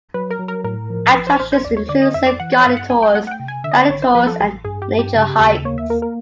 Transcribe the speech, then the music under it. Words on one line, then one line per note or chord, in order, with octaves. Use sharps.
Attractions include self-guided tours, guided tours, and nature hikes.
F#3 B4
A#4
F#3
A#4
A2 A#4
F3
A1 B4
C5
A1 C5
C5
D#2 D5
C#5
D3 D5
D#5
F2 E5
D5
E3 F#5
C#5
G2 F5
F#5
G#1 G#5
G5
A3 F#5
F#5
G5
C3
G#5
D3 E5
D#5
D5
G#1 C#5
C5
F3 B4
A4
A1 G#4
G2 G#4
G4
G2
G4
C#3
D#2
A#3 C#5
E5
A#3 A#4
A#4